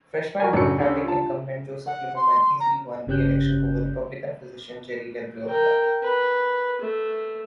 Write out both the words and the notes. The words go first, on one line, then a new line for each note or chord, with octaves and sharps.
Freshman Democratic incumbent Joseph Lieberman easily won reelection over Republican physician Jerry Labriola.
F#4 A#4 G#5
F#2 A2 C#3 F#3 D4 C#7
D2 D3 C#4 D4 G4
F4 A5
F#5
C6
A#5
G1 C#3 C#4 G4 F#6 G6
A#4 G5
B4
A3